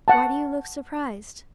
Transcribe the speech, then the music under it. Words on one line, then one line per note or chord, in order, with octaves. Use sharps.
Why do you look surprised?
F#5 A5